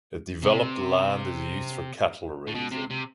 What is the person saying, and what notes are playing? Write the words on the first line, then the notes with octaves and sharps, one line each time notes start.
The developed land is used for cattle raising.
C3
A2
B2
C3
C3